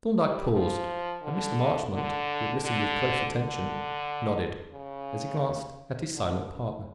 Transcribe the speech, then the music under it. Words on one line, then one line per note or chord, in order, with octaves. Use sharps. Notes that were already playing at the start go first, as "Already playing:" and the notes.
Thorndyke paused, and Mr. Marchmont, who had listened with close attention, nodded, as he glanced at his silent partner.
G3
F3
D3
D3
D3
D3
C#3
D3